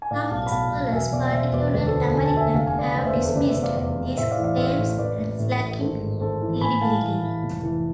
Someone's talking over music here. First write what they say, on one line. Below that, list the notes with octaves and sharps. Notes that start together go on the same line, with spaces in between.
Some scholars, particularly American, have dismissed these claims as lacking credibility.
G#5
A2 D5 F5
B1 F5 A5
B5
B1 F5 A5
B1
E1 E5 G#5
B2 D5 F5
D5
B2 C5 E5
E1 B4 D5
D2 B4 D5
A4 C5
D3
A4 C5
D3 G#5
A5
D3 E5 G#5
F1 F5
G#5
F1 D5 F5
F1 B4 D5
C5 E5
E2 B4 D5
A4 C5
F1 B4 D5
C5 E5
E2
D5 F5
E2 D5 F5
C3
A2 C5 E5
D5 F5
E3
D5 F5
A1 C5 E5
A2
A1 B4 D5
A1
A2
A1
G#1 A4 C5
G#2
G#1 A4 C5
E3
A2 G#5 B5
A2 F5 A5
E3
E3
F1
E3